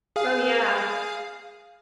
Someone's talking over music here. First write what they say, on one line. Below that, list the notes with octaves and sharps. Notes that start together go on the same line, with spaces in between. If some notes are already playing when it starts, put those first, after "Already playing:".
Oh, yeah.
G#4 F5